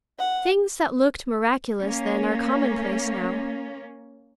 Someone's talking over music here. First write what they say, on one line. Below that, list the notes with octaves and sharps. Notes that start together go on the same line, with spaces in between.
Things that looked miraculous then are commonplace now.
F#5
A#3 C#4